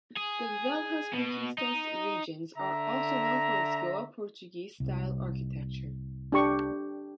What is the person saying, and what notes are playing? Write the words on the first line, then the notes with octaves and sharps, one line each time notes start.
The Velhas Conquistas regions are also known for its Goa-Portuguese style architecture.
G#4
B2
D#4
D3 E5 A#5
C2
D4 G4 C#6